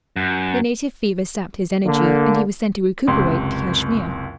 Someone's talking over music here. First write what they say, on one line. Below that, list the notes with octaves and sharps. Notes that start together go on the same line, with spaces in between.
The native fever sapped his energy, and he was sent to recuperate, to Kashmir.
F#2
D3 A#3
F#1 C#2 C3 C6